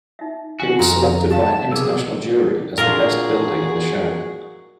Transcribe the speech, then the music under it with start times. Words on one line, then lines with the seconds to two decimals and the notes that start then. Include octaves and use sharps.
It was selected by an International jury as the best building in the show.
0.19 D#4 E5
0.60 F#4 F#5 G#5
0.79 F2 G#5 A#5 C6
1.30 G4 F5 A5
1.71 B1 G#4 A#4 D6
2.78 A#2 D4 F4 F#4 G#4 A#4